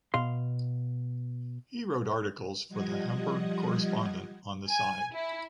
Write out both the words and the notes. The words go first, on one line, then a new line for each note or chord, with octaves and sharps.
He wrote articles for the Hamburg correspondent on the side.
B2 F5 C6
F3 G3 D#5 F#5 G#6
G#5
E4